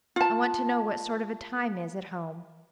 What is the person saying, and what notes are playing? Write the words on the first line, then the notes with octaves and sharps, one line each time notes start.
I want to know what sort of a time is at home.
F4 A5